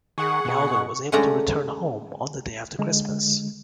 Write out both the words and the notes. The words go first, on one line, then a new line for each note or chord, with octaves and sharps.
Wilder was able to return home on the day after Christmas.
D#3 G#4 F#5 C#6
B2
D3 G#3 A3 C#4 D5 A#5
D3 G#3